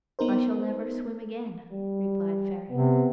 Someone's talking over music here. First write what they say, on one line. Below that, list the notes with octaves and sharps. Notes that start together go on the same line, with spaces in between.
"I shall never swim again," replied Faria.
B3 D#4 A#4 C5
G3
C3 B3